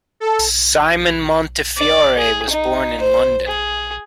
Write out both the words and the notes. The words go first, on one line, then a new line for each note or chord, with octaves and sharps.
Simon Montefiore was born in London.
A4
D5
G#4
D#4
C5
G#4